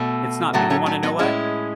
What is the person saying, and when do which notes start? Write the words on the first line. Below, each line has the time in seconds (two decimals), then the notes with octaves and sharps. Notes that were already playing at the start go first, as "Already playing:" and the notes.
It's not, but, you wanna know what?
Already playing: B2 A3
0.53 A2 F#3 A3 B3
0.70 A3 C#4
0.86 A3 C#4
1.03 B3 D#4
1.19 A2 G#3 C#4 E4